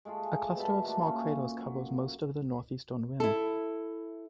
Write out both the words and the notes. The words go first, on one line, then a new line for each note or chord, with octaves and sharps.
A cluster of small craters covers most of the northeastern rim.
G#3 A3 F4 G#4
B2 G3 E5 A5
A3 A#3 D4 F4
A#2 C#4
F#3
E4 A4